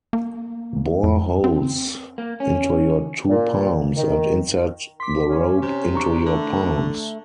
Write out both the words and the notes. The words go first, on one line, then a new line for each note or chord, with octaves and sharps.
Bore holes into your two palms and insert the rope into your palms.
A#3
F2
C4
A#3
C#4
A#2
D#3
C6 D6 B6
C#4
C3
D4 A#5 C#6
D3 A3